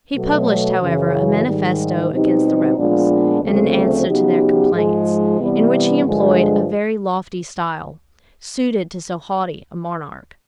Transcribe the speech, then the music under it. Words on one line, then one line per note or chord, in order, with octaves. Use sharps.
He published, however, a manifesto against the rebels, and an answer to their complaints; in which he employed a very lofty style, suited to so haughty a monarch.
B2 F#3 A3
F#2 C#3 E3
G#2 D#3 G3
B2 G3 C4 D#4 G4
A#2 F3 G#3 B3 D4
D2 C#3 F3 A3 C4
C#3 F#3 B3 D#4 G4
G#2 F3 G#3
C3 E3 G3 B3
G2 D3 F3 G#3